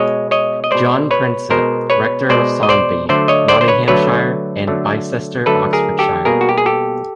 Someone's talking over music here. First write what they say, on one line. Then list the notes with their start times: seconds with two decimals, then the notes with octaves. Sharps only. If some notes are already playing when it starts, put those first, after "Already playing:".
John Prinsep, rector of Saundby, Nottinghamshire, and Bicester, Oxfordshire.
Already playing: B2 G#3 C#5 D#5
0.31 C#5 D#5
0.64 D#5
0.71 B2 G#3 C5 D5
1.11 B4 C#5
1.50 B2 G#3 A#4 C5
1.90 B4 C#5
2.29 B2 G#3 C5 D5
2.63 D#5
2.69 C5 D5
3.09 D3 F#3 A3 C5 D5
3.28 C#5 D#5
3.48 C5 D5
3.61 C5
3.68 B4 C#5
3.88 D3 F#3 A3 B4 C#5
4.67 D3 F#3 A3
5.46 D3 F#3 A3 A4 B4
5.73 G#4 A#4
5.99 G4 A4
6.25 B2 G3 A#3 G#4 A#4
6.41 F#4
6.49 G4
6.58 G#4
6.66 G4 A4